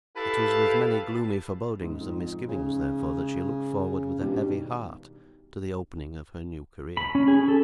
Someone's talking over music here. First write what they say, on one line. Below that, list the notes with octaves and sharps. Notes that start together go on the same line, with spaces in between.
It was with many gloomy forebodings and misgivings, therefore, that she looked forward, with a heavy heart, to the opening of her new career.
E4 G4 A4 B4 F5 A5
G#2
F2
C#3
G2 B2 D#3 G3
B5
C#4
G#4
A4